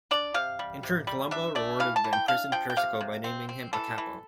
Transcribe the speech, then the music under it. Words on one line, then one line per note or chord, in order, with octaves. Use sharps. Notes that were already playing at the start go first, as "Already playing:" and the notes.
In turn, Colombo rewarded the imprisoned Persico by naming him a "capo".
D4 D5
C3 F5
G3
C3
G3
D4 E5
A3 D5
E3 F5
A5
E3
G5
D4 F5
F3 G5
G5
C3 F5
C3
C4
C4
E3 A4
E3